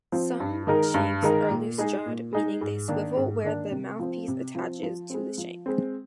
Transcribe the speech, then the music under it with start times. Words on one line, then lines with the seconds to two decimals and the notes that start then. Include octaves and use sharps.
Some shanks are loose-jawed, meaning they swivel where the mouthpiece attaches to the shank.
0.12 F3 C4
0.40 G2
0.67 D#3 G#3 D#4 A#4
0.94 G2
1.23 D#3 G#3 D#4 A#4
1.50 A#2
1.78 G#3 D#4 G#4
2.06 A#2
2.33 G#3 D#4 G#4
2.61 G#2
2.88 D#3 A#3 D4
3.16 G#2
3.44 D#3 A#3 D4
3.71 C3
3.99 F3 C4
4.28 C3
4.55 F3 C4
4.83 F3
5.10 G#3 C4
5.38 F3
5.66 G#3 C4